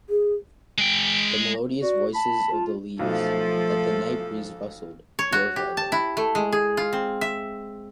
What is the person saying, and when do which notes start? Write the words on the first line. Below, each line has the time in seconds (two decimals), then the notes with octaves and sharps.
The melodious voices of the leaves, that the night breeze rustled, glorified them.
0.10 G#4
0.78 G#3 G5
1.82 F#4 D5
2.14 A5 B5
2.52 F4
2.99 B1 F3 A3 A4
5.19 C#5
5.32 F#4
5.56 G4
5.77 A5
5.92 E4
6.17 A3
6.35 G#3
6.52 G#4
6.77 F4
6.93 C4
7.21 E5